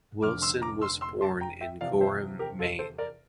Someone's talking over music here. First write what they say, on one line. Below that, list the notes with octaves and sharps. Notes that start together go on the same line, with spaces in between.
Wilson was born in Gorham, Maine.
F1 F2 D3 D6 F6
C6 E6
A#5 D6
C6 E6
C6 E6
A5 C6
G5 A#5
E5 G5
E2 C3 F3 D5 F5
C5 E5
G4 A#4
F4 A4
A4 C5
A#4 D5